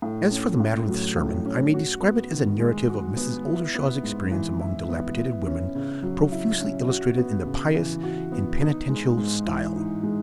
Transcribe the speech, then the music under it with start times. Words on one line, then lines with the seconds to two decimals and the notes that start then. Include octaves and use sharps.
As for the matter of the sermon, I may describe it as a narrative of Mrs. Oldershaw's experience among dilapidated women, profusely illustrated in the pious and penitential style.
0.02 A2
0.31 C#4
0.60 A2
0.88 F#3
1.16 A2
1.45 C#4
1.74 F#4
2.02 B3
2.31 D#3
2.59 G#3
2.89 F#4
3.17 B3
3.45 E4
3.74 B3
4.03 G#2
4.32 E3
4.60 E4
4.89 B3
5.18 E4
5.46 C#4
5.75 C#3
6.03 F#3
6.32 E4
6.60 C#4
6.89 F#4
7.17 B3
7.46 C#3
7.75 E3
8.03 F#4
8.32 B3
8.61 D#4
8.89 G#3
9.17 G#2
9.46 E3
9.76 D#4
10.03 G#3